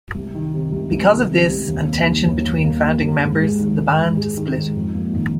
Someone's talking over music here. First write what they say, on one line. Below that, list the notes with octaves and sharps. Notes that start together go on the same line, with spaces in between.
Because of this and tension between founding members, the band split.
C2
D#3
C3
C2
C2
D#3
C3
C2
D#2
A#3
D#3
D#2
D#2
A#3
D#3
D#2
G#2
G#3
D#3
G#2
G#2
G#3
D#3
G#2
F2
A#3
D#3